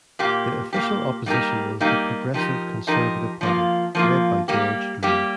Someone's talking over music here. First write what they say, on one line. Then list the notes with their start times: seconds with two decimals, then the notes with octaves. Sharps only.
The Official Opposition was the Progressive Conservative Party, led by George Drew.
0.19 A#2 A#3 G4
0.73 A#2 A#3 G4
1.26 G3 A#3 D#4 G4 A#4
1.80 G3 A#3 D#4 G4 A#4
2.34 F3 D#4 G4 A#4
2.87 F3 D#4 G4 A#4
3.41 F3 A#3 F4
3.95 F3 A#3 F4
4.48 G3 A#3 G4
5.03 G3 A#3 G4